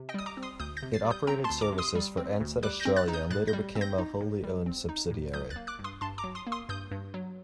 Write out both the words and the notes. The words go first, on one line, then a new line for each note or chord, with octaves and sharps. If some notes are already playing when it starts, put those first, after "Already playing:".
It operated services for Ansett Australia and later became a wholly owned subsidiary.
Already playing: C3
D#5 G5
G3 D#6
A#5 D6
C4
C6 D#6
D2 D#6 G6
G6 A#6
C3
A6 C7
G3
D#6 G6
C4 G5 A#5
A5 C6
D2
A#5 D6
C3
C6 D#6
G3
C4
D2
G3 D6 F#6
G6 A#6
C4
F#6 A6
D#4
D#6 G6
A2 F#6 A6
G6 A#6
G3
C4
G6 A#6
D#4
A2
G3
C4
D#4
A2
F#3 D#6 G6
F#6 A6
A#3
D6 F#6
G2
C6 D#6
G2 A5 C6
A#5 D6
F#3
C6 D#6
A#3
C6 D#6
G2 D#6 G6
G2
F#3